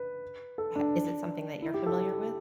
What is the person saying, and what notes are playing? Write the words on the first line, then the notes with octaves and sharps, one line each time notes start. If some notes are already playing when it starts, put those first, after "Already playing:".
ha is it something that you're familiar with?
Already playing: B4
A4
D4
E4
G4
A4